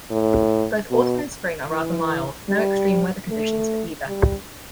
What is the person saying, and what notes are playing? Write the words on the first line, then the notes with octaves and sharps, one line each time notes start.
Both Autumn and Spring are rather mild, no extreme weather conditions for either.
A2
B2
E3
G3
A3
G3